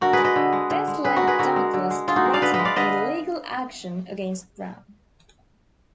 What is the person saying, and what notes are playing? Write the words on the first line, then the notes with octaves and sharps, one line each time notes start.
This led Douglas threaten a legal action against Brown.
D3 F#4 A#4
G#4 B4
G#3
B4 D#5
D3
G#3
D3
G#3
D3 G#4 B4
F#4 A#4
G#3
G#4 B4
D3 F#4 A#4
G#3
D3
G#3
D3 F4 G#4
D#4 F#4
G#3
D5 F5
D3 B4 D#5
B4 D#5
G#3
D5 F5
D3 B4 D#5